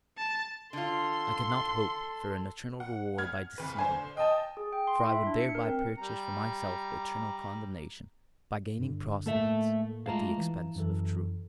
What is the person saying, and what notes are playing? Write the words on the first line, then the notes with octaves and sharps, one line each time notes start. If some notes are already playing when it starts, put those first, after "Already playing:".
I could not hope for an eternal reward by deceiving you, for I would thereby purchase for myself eternal condemnation by gaining proselytes at the expense of truth.
A5
D3 F4 A4 C6
F#5
F6 G#6
F#1 C2 B4
D3 C5 G#5
D#5 G5 A5
G#4
G5
C6
E4
E5
D4
C#7
A#4
C4
G3 A#5
G2 D3
A2 A3 A#3 A4 E5
G#3 A3 F4 F5 A5 A#5
E3
F#2 E3 A4